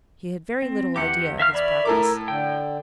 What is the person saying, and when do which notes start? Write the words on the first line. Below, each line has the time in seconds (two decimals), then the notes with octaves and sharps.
He had very little idea of his progress.
0.62 C4
0.96 E2 G4 F#5 D6
1.39 E5 F5 F6
1.55 C#5 D5 E5 B5
1.85 A2 A4 A#4 D6
2.28 D3 G5